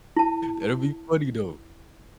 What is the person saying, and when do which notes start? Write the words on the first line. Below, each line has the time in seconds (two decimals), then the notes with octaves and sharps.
That'd be funny though.
0.16 E4 A5